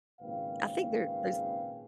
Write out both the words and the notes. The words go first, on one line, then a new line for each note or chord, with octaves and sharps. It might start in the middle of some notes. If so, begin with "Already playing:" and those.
I think there those
G#1 A#2 C#3 B4 F5 G5